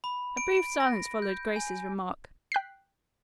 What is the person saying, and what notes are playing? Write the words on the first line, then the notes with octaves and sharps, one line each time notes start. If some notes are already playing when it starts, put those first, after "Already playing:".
A brief silence followed Grace's remark.
B5
D7
D7
A#6
G6
G#5
G5 F#6 B6 C7